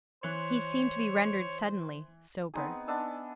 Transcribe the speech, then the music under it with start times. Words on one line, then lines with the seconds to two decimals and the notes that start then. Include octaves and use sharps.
He seemed to be rendered suddenly sober.
0.23 E3 C5 C#5 C6 F#6
2.54 B3 C4 D#4 G#4
2.88 B3 D4 D#5 E5